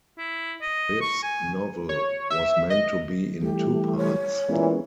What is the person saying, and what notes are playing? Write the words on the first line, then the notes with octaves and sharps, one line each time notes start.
This novel was meant to be in two parts.
E4
D#5
C#6
G#5
C#5
E5
D#5
E3 G3 A3 G4
C#5
A#2 E3 G#3 B3 C#4